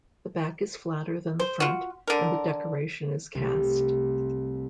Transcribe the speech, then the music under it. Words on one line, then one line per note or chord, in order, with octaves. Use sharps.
The back is flatter than the front, and the decoration is cast.
C5
F4 F#4
D3 A#4
C2 A3